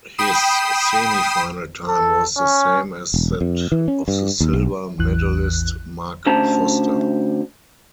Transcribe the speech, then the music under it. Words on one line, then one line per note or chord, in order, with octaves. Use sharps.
His semifinal time was the same as that of the silver medalist Mark Foster.
G5 B5 D#6 C7 E7
A4
C#4
E1
F2
E3
C#4
G2
D#2
B1
A1 E2 E3 F#6
D2 C#4 C5 A5 A#5